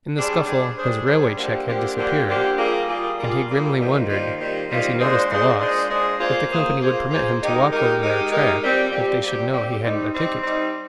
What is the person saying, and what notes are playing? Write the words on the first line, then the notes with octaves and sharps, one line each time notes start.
In the scuffle, his railway check had disappeared, and he grimly wondered, as he noticed the loss, if the company would permit him to walk over their track if they should know he hadn't a ticket.
G3 D4 G#4 C5
G3 D4 G#4 C5
G3 D4 G#4 C5
G3 D4 G#4 C5
D3 F3 A#3 D4 G4
D3 F3 A#3 D4 G4
D3 F3 A#3 D4 G4
D3 F3 A#3 D4 G4
G3 A#3 F4 G#4
G3 A#3 F4 G#4
G3 A#3 F4 G#4
G3 A#3 F4 G#4
D#3 G3 A#3 F4 C5
D#3 G3 A#3 F4 C5
D#3 G3 A#3 F4 C5
D#3 G3 A#3 F4 C5
A#2 G#3 D4 G#4 C5
A#2 G#3 D4 G#4 C5
A#2 G#3 D4 G#4 C5
A#2 G#3 D4 G#4 C5
A#3 F4 G#4 C5
A#3 F4 G#4 C5
A#3 F4 G#4 C5
A#3 F4 G#4 C5
G#3 D#4 G4 A#4
G#3 D#4 G4 A#4
G#3 D#4 G4 A#4
G#3 D#4 G4 A#4
A#2 G3 C4 G4
A#2 G3 C4 G4
A#2 G3 C4 G4
A#2 G3 C4 G4
G3 C4 D#4
G3 C4 D#4
G3 C4 D#4